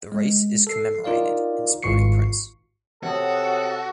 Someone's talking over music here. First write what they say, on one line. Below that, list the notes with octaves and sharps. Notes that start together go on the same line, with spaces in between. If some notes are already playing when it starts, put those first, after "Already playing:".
The race is commemorated in sporting prints.
G#3
A4 C7
D#4 F4 A#4 D5 F5
G#1 G#2 F4 C#6 C7 C#7
C3 F#4 A4 C#5 F#5 D#6